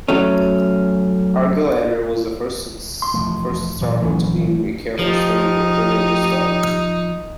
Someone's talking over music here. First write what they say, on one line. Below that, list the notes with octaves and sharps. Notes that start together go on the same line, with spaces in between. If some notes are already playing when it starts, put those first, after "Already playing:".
Argelander was the first astronomer to begin a careful study of variable stars.
F#3 A3 C#4
C6
E1 F3 A3
A#2 E3 F#3
D1 A#1 E3 F#3 C#4
F3 D#4 G4